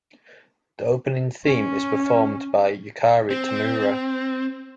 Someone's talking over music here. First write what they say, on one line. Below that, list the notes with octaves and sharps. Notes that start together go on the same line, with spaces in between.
The opening theme is performed by Yukari Tamura.
C#4
C4